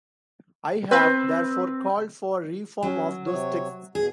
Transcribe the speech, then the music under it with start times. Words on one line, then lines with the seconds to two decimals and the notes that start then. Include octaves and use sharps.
I have therefore called for reform of those texts...
0.91 C4 B4
2.83 F#3 C#4
3.26 C3 C#5
3.95 E2 B2 G#4